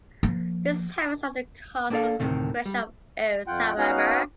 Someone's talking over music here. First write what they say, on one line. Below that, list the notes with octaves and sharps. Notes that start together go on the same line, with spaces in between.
This happens at the cost of the correction of errors, however.
F3 A#3
A#3 B3 D4 A4 D5 F5
D2 A2 C3 D#3
G3
F2 F4 F#5 G5
B3 C#4 D#4 F#4 F5 F#5